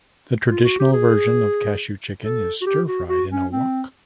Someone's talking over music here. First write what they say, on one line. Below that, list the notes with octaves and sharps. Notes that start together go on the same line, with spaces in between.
The traditional version of cashew chicken is stir-fried in a wok.
F4
F#4
G4
G#4
A4
F#4
G4
F#4
F#4
C#4
C4